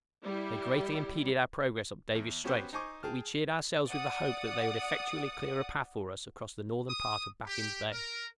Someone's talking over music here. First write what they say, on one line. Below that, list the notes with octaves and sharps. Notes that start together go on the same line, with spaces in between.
They greatly impeded our progress up Davis' Strait, but we cheered ourselves with the hope that they would effectually clear a path for us across the northern part of Baffin's Bay.
G3 E4
E2
B3 C#4 F#4 G4 B4 C5
D#4 C5 G#5 C#6 D6
G#4 G5 A5 F6
D5 F#5 D#6
D#6
G4
A#4